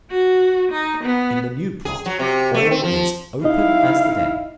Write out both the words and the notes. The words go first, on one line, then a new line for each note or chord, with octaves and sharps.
In the new plot all is open as the day.
F#4
D#4
B3
G#4
F#3
C3
A3
C4
F3
D#4 E4 D#5 F5